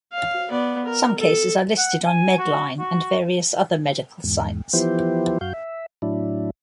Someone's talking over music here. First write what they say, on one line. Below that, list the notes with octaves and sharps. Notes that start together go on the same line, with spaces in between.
Some cases are listed on MedLine and various other medical sites.
F5
B3 D5
A#4
A4
F#5
G#5
F#4
F#4
E2 G#2
E3 F3 B3 E4 G4 C5
F#2 F#4 F5 G6
E5
A2 F#3 D4 E4